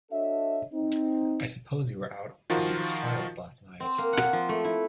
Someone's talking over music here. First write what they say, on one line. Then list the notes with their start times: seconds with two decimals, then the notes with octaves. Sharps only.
I suppose you were out on the tiles last night?
0.12 D4 F#4 A4 C#5 D#5 E5
0.73 C4 D#4
2.50 D#3 F3 F4 F#4 A#4
3.80 C4
3.98 A#3
4.13 F#5
4.33 F3
4.49 A3
4.64 E4